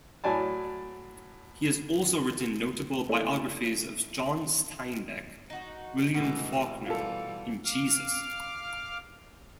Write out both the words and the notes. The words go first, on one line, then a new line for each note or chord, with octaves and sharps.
He has also written notable biographies of John Steinbeck, William Faulkner, and Jesus.
A2 F#3 D5 G#5 A5
A3 A#3 E4 A4 C#5 D5
D#4 F#4
B2 E3 G#3 A3
E3 G3 F4 A4
F5 D6 F6